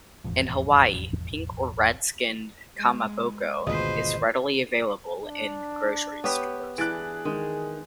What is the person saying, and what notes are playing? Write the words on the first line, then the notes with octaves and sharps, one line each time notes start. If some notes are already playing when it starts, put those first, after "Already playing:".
In Hawaii, pink or red-skinned "kamaboko" is readily available in grocery stores.
E1 A1 F2
G#3
G#1 D2 B2 F4 G#4 B4 C5 D#5
D4
B3 G4 B4 C#5
E3 D4 G#4 F#6 A6 D7
D#3 G#3